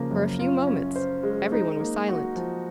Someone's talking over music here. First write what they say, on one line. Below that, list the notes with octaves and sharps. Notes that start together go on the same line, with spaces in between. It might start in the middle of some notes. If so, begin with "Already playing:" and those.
For a few moments every one was silent.
Already playing: C#3 F3 A#3
F#2
F4
C#4
C5
G#3
D#4
A#3
F#4
F3